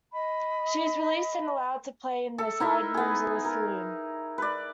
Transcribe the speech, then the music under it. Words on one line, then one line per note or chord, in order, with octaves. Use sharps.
She is released and allowed to play in the side rooms of the saloon.
D#5 B5
A4 E5
D#4 E4 A#4 E5
B3 G#4
A#4
B4 D5